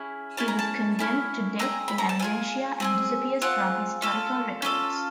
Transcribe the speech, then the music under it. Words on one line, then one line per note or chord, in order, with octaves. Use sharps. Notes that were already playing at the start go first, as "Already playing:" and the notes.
He was condemned to death "in absentia" and disappears from historical records.
Already playing: C#4 E4 G#4
C#4 E4 G#4 A5
A#5
A5
C#4 E4 G#4
C4 F4 G#4 A#5
B5
A#5
A5
C4 F4 G#4 G#5
C4 F4 G#4
C4 F4 G#4 F#5
C#4 F4 A4
C#4 F4 A4